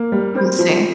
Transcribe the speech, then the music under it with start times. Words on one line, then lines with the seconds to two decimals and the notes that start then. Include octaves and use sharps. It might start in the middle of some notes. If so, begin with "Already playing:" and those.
I see.
Already playing: A#3
0.12 G3
0.35 C4
0.59 F3